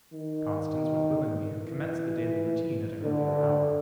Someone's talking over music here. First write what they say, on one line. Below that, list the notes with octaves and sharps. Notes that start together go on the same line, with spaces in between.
Constance would willingly have commenced the daily routine at an earlier hour.
D#3
E3
D3